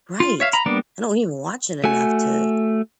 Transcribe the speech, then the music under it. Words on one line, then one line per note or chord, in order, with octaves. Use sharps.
Right. I don't even watch it enough to
F4
C#5 E5 F5
A#5 B5
G3 A#3 B3 D4 D5
A3 F#4 G#5